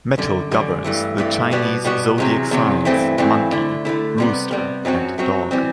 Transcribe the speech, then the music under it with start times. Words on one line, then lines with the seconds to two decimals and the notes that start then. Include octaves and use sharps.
Metal governs the Chinese zodiac signs Monkey, Rooster and Dog.
0.18 F#2 D3 G3
0.51 F#2 D3 G3
0.84 G2 E3 A3
1.18 G2 E3 A3
1.51 B2 G3 B3 F#4
1.85 B2 G3 B3 F#4
2.18 E2 C3 F#3
2.51 E2 C3 F#3
2.85 G2 E3 A3 C4 E4
3.18 G2 E3 A3 C4 E4
3.51 D3 A3 E4
3.85 D3 A3 E4
4.18 C3 G3 B3
4.51 C3 G3 B3
4.85 F#2 F#3 C4 F#4
5.18 F#2 F#3 C4 F#4
5.51 E3 G3 C4